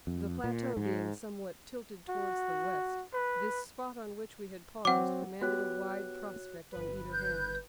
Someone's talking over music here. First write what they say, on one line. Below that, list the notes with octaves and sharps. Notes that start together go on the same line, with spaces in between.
The plateau being somewhat tilted towards the west, this spot on which we had paused commanded a wide prospect on either hand.
F2
A#2
G#2
F#4
B4
F#3 C4 F#5 D6
B3 F#4 G4 C#5 F#6
G1 B4
F#6 G6